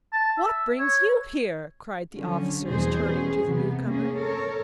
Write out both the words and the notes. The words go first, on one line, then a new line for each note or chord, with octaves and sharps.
"What brings you here?" cried the officers turning to the newcomer.
A5
E5
C#5
D3 F3 F#3 C#4
E2 B2 G3 C4 G#4 C5
B3 C#4 G#4
C3 E3 B3
A#3 C#4 G#4
A4 A#4 C#5